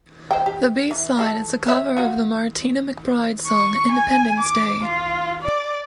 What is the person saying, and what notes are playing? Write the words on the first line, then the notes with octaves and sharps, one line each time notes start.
The B-side is a cover of the Martina McBride song "Independence Day".
C5 G5
G4
E3
F4 G4 A4
C#5 E5
F4 F#4
C#6
G#5
D6
F4
D5